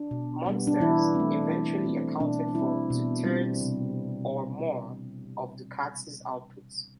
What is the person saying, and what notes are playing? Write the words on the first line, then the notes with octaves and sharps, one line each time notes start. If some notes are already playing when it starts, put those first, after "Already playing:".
Monsters eventually accounted for two-thirds or more of Ducati's output.
Already playing: D4
B2
G3 B3
D4
E3 E4
A3 C4
E3
A3 C4
B2 D4
G3 C4 E4
B2
G3 C4
C3